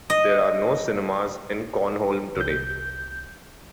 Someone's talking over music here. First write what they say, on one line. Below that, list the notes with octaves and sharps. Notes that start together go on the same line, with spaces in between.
There are no cinemas in Cornholme today.
D#5
C2 G6